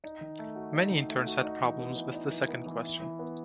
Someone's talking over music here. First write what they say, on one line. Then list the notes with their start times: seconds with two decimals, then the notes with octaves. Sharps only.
Many interns had problems with the second question.
0.04 D#4
0.21 D#3
0.39 A3
0.56 F#4
0.74 D#4
0.91 D#3
1.09 A3
1.27 F#4
1.43 D#4
1.62 E3
1.80 B3
1.96 E3
2.13 D#4
2.31 E3
2.48 B3
2.66 E3
2.85 E4
3.02 E3
3.19 B3